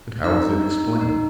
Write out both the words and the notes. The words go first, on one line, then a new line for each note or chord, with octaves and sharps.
"And how is it explained?"
D#4 E6
D#4
D#4